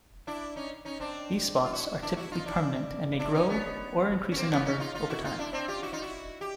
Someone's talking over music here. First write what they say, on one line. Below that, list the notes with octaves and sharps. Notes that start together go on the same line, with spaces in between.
These spots are typically permanent, and may grow or increase in number over time.
D4 E4
C#4 D#4
C#4 D#4
C4 D4
F4
E4 F#4
D4 E4
E4 F#4
D#4 F4
D4 E4
D4 E4
C#4 D#4
B3 C#4
C#4
A#3 C4
B3 C#4
C#4 D#4
D#4 F4
D#4 F4
E4 F#4
D#4 F4
D4 E4
C4 D4
F4 G4
E4 F#4
D#4 F4
E4 F#4
G4